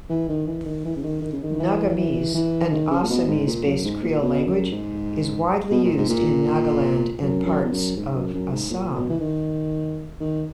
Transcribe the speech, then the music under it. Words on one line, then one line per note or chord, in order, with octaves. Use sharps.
Nagamese, an Assamese-based Creole language is widely used in Nagaland and parts of Assam.
E3
D#3
E3
D#3
E3
C#3
D#3
D#3
C#3
D#3
E3
E3
E3
D#3
C#3
A#2
B2
G#2
A#2
F#2
G#2
A#2
B2
F#2
G#2
B2
A#2
G#2
A#2
F#2
F#2
E2
F#2
G#2
F#2
F#2
G#2
A#2
B2
E3
D#3
D#3